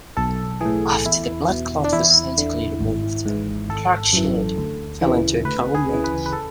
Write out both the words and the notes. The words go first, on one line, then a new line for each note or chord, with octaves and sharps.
After the blood clot was surgically removed, Clark-Sheard fell into a coma.
B1 A4
A2 E3 G#4
E2 E4
B2
D4
E2 E4
D3
G#1
G#2 E3
G#1 A4
F#2 E3
D2
C#3 E3
D2 B4
G#4
C#3 E3
B4
B4
A4